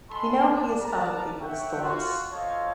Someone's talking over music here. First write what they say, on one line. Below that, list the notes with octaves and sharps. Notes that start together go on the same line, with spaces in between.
He now hears other people's thoughts.
G#3 A4 B5 C6
D4
A#4 B4 D5 F#5 A5 A#5
C#5 E5 F#5 G5
F4 F#4
F4 A4 C5 C#5 D#5 F5